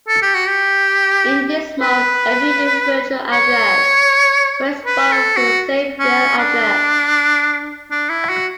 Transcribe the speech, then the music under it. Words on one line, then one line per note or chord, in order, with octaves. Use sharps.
In this mode every virtual address corresponds to the same real address.
A4
G4
F#4
G4
B4
C#5
B4
A4
F#4
C#4
D4
D4
E4
F#4